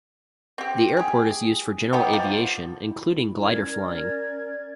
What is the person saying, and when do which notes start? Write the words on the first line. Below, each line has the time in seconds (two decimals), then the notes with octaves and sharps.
The airport is used for general aviation, including glider flying.
0.58 C4 G4
0.97 G4 G#4
1.93 B3 D#4 G4
2.13 F3
2.81 E4
3.43 C#4 A#4 D5 G#6